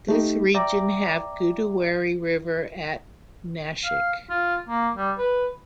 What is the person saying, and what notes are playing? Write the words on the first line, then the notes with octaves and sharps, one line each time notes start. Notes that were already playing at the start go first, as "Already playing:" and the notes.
This region have Godawari river at Nashik.
A3 D#4 G4
D5 E5 G5 A#5 D6
F5
F4
A#3
G3
B4